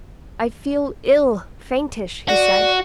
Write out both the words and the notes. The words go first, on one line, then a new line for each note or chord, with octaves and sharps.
"I feel ill--faintish," he said.
F#4 D5